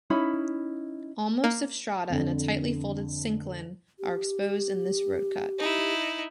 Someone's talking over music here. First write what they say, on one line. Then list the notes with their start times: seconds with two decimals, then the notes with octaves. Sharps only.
Almost of strata in a tightly folded syncline are exposed in this road cut.
0.10 C#4 D#4 E4 B5
1.44 A#3
2.10 F2 D3
3.99 G4
5.59 D#4 E4